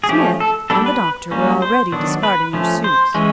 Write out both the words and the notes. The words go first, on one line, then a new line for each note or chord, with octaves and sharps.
Smith and the doctor were already discarding their suits.
G#4
F3 A3 C#4 G4
A4
G3 B3 D4 A4
B4
G3 A#3 C#4
C5
D#3 F#3 B3 D4
B4
F3 A3 C#4
C5
E3 G#3 C#4